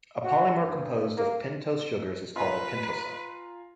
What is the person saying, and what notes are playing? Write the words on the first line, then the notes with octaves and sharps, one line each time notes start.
A polymer composed of pentose sugars is called a pentosan.
F#4
G2
A#3
F4 B4 G#5 A#5